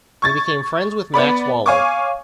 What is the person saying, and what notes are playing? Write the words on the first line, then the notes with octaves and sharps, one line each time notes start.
He became friends with Max Waller.
C#6 G#6 A6
B3 D5 B5
C#5 F5 G#5 C#6 D6